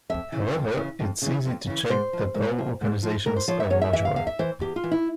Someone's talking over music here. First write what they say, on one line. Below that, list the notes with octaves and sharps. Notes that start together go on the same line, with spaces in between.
However, it is easy to check that all localizations are modular.
F2 E5
C#3 E3
F2
C#3 E3
F2
C#3 E3
F2
C#3 E3
G#2 C5
F3
G#2
F3
G#2
F3
G#2 A#4
C5
F3 C#5
E5
E2 C#5
E5
E3 E5
F5
E2 F5
E5
E3 C5
E2 G4
F4
E3
E4